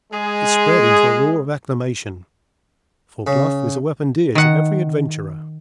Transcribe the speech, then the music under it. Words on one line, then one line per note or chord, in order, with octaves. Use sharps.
It spread into a roar of acclamation; for bluff is a weapon dear to every adventurer.
G#3 G#4
C#3
D#3 F#5